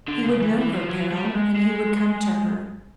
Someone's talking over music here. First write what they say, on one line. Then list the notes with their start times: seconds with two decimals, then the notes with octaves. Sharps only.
He would know her peril and he would come to her.
0.08 D3
0.24 C#3
0.41 E3
0.58 E3
0.74 F3
0.90 F#3
1.12 G3
1.24 A3
1.34 G#3
1.56 G#3